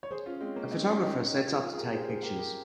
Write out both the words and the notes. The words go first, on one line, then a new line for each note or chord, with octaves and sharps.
A photographer sets up to take pictures.
C#5
G#4 C5
C#4 F4
G#3 C4
A#3 C#4
C4 D#4
C#4 F4
D#4 G4
D#4 G4
G4 A#4
F4 G#4
F4 G#4
G#4
G4 A#4
G#4 C5
G#4 C5
G4 A#4
G4 A#4